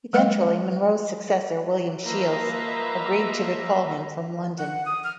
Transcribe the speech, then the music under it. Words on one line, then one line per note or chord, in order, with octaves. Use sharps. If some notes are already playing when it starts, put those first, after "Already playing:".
Eventually Munro's successor, William Shiels, agreed to recall him from London.
F#3 G#3 A#3 D#5 F5
F3 A#3 B4 D#5 E5 A#5
F#5
D#6
F6